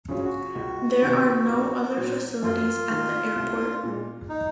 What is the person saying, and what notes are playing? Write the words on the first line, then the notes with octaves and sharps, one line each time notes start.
There are no other facilities at the airport.
C#3 F#3 C#4 F4
F#4
C#2
C3 D#3
A#1
A#2 F#3
F#2 F4
D#3 A#3
C2
A#2 G#3
D#4